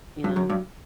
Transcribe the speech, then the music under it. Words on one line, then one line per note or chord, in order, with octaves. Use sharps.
you know,
G2 F#3
F#2
G2